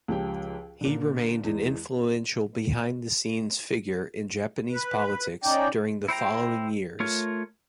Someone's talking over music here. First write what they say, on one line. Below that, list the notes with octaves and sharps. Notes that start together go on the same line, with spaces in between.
He remained an influential behind-the-scenes figure in Japanese politics during the following years.
C#2 F3 G4 G5
A#2 D3
E2 G#3
B4
C#4 D#4 D5 G5
E4 C5 G5 A#5
A3 F4 A#4 C#5